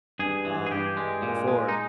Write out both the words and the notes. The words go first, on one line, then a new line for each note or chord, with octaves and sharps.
um, before,
G2 G#4
E3
G#4
G2 G4
G#3
A#2
G#3
D#4